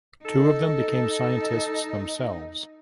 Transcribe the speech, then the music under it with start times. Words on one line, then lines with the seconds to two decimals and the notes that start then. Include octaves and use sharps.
Two of them became scientists themselves.
0.25 D#4 A4